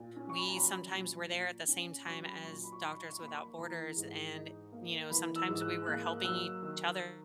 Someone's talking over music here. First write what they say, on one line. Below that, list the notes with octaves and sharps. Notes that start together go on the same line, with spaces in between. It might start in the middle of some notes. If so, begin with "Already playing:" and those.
we sometimes were there at the same time as Doctors Without Borders and, you know, sometimes we were helping each other
Already playing: A#2
C#4
C#6
B5
A#5
F#3 B5
A#2
A#2
C#4
F#3 C#6
B5
A#2 C#6
B5
C#6
D#4 B5
C#6
B5
C#6
A#3 B5
C#6
B5
E3 A#5
G#2
D#4
A#3
E3 B5
E6
G#2
F#6
A#3 F#6
F#3 E6
D#3 E6